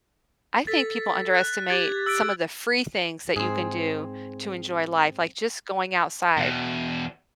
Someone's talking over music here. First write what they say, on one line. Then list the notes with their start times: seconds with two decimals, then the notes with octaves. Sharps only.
I think people underestimate some of the free things that you can do to enjoy life, like just going outside,
0.67 A4 A6 B6
1.34 F#6
1.70 G4 G#6 A6
2.06 E6 A6 D7
3.36 G#2 C4 G#4
6.37 E2 B2